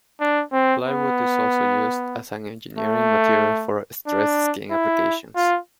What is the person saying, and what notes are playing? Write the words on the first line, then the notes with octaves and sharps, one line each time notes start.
Plywood is also used as an engineering material for stressed-skin applications.
D4
C4
B3
A3
D4
E4
F4